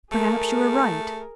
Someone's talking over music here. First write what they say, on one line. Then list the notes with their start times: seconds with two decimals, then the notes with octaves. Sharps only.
Perhaps you are right.
0.12 A3 G#4 A#4